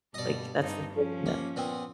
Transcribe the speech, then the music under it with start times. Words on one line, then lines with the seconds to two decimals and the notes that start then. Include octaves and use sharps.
Like, that's the good yep.
0.14 G2 B2 G3 D5 D#5
0.59 G2 C4 D#4
0.91 F3 C#4
1.26 A#3
1.56 A#2 B3 C4